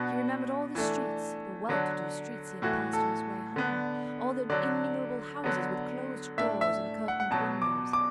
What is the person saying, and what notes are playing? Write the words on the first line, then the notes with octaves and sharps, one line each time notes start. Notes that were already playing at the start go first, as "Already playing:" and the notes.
He remembered all the streets--the well-to-do streets he had passed on his way home; all the innumerable houses with closed doors and curtained windows.
Already playing: B2 B3 D4 F#4
E3 A3 D4
D3 F#3 D4
A2 E3 A3 F#4
A4
D3 B3 D4
D3 F#3 D4 D5
D3 F#3 B3 D4
A2 A3 D4 E5
E5
F#5
F#5
B2 F#3 B3 A5
D6
D6